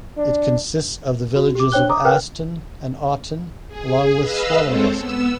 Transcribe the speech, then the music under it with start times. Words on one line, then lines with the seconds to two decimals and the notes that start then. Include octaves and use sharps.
It consists of the villages of Aston and Aughton, along with Swallownest.
0.18 D4
1.36 F#4
1.55 G4 D6
1.72 D4 C5 C#5 G5 F#6 G7
1.89 A#5 D6 D#6
2.05 A#4 B4 F#5 G5 F6 F#6
3.67 G#4
4.18 B4 D#5 F5 E6
4.63 G#3 C4 A4 C5 C#5
4.96 B3 E6